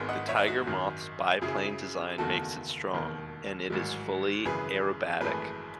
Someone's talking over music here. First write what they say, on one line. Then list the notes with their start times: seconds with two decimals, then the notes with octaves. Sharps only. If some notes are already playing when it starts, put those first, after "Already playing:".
The Tiger Moth's biplane design makes it strong, and it is fully aerobatic.
Already playing: G#1 G#2 D#3 G#3 B3
0.09 D#5 F#5
0.28 C#5 E5
0.47 D#4 F#4
0.67 G#1 F#2 D#3
1.41 F#2 C#3 F#3 E4 G#4
2.18 F#1 E2 D#3 A3 F#4 A4
2.93 E1 D#2 D#3
3.70 A1 G#2 D#3 F#3
4.45 G#1 F#2 C#3 E3 G#4 B4
5.21 G#1 F#2 E3 A3 G#4 B4